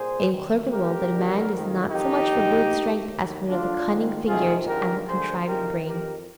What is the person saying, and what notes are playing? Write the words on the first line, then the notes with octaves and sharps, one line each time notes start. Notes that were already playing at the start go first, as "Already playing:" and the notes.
In Clerkenwell the demand is not so much for rude strength as for the cunning fingers and the contriving brain.
Already playing: C2 A#2 G#4 C5
D2 C3 D#3
F2 D3 G4 A#4
D#2 D3
F2 D#3
F2 D#3 D#4 G4
A#1 G#2 D#3
G#1 G2 D#3
D#2 D#3
D2 D3 D4 F4
G#1 G#2 D#3
F2 C3 D#3 F4 G#4
G#1 G2 D3 G4 A#4
D2 D3 G#4 C5
F2 C3 D#3 G4 A#4
F2 D#3 G4 A#4